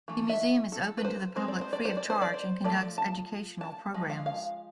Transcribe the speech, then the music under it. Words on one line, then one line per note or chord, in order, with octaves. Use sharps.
The museum is open to the public free of charge and conducts educational programs.
E3 A3
E5
A4
B4
C5
G#3 C4 C5
D5
C5
D5
C5
D5
C5
D5
C5
F3 A3 D5
A5
A5
F3 G#3
F5
F5